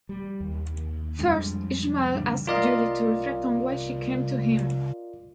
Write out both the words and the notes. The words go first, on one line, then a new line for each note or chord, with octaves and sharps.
First, Ishmael asks Julie to reflect on why she came to him.
G3
D#2
F2 G3 G#3 D4
C#3 E3 G3 D4
F4 A#4 D5 D#5 F5